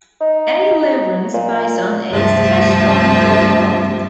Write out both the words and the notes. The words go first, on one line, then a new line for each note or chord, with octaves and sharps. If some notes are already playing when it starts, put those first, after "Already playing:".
A. Lawrence, based on a sketch by Wilhelm.
D#4
A#2
D2 G2 C3 F3 E5 A5